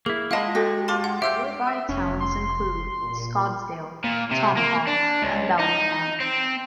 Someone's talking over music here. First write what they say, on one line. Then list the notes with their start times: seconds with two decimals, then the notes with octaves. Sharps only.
Nearby towns include Scottsdale, Tomahawk and Bellingham.
0.06 A#3 E4 G#4
0.31 G#3 F4 D#5 F5 F#5 A5 B5 D6
0.55 F#4 G4 A4 A#6
0.88 F4 A5 C6 D6
1.04 F#5
1.22 G4 C5 E5 E6 G6
1.66 E5
1.89 F1 C#4
2.20 C6
3.01 A#2
4.04 A#2
4.31 C3
4.57 A#3
4.87 D4
5.22 C#2
5.59 D#4
6.20 C4